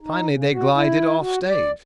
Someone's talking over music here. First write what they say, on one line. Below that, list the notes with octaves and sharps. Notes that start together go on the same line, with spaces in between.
Finally they glided off stage.
D#4
C#3
F#4
E4
F#4
D5